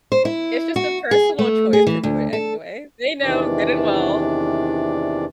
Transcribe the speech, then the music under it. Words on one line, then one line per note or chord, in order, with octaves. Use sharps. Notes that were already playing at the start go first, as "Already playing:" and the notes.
It's just a personal choice to do it anyway. They know good and well.
C5
E4
F#4
G#4
A3
G#4
E3
D2
A4
E2 C3 D#3 E3 D4 D5